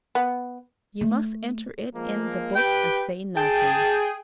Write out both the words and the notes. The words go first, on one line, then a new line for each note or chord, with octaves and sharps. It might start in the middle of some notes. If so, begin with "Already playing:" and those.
You must enter it in the books and say nothing.'
B3
A3
F3 G#3 A#3
G4 B4 G5
G#4 G5 A5